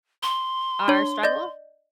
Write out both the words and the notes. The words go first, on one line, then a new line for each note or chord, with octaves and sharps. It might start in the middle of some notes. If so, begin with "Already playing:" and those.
our struggles.
C6
D4 C#5
D5 D#5 G6